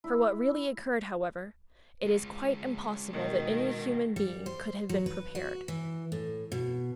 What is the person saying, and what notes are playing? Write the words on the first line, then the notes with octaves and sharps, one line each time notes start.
For what really occurred, however, it is quite impossible that any human being could have been prepared.
E4
G#3 F4
B2 D#3
G3
C5
F#3
B4
F#4
E3
A2
B2